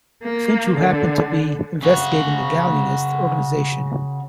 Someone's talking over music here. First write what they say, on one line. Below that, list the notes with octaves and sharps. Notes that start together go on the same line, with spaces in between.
Finch, who happened to be investigating the "Galleanist" organization.
A#3
D3
C#3 F#4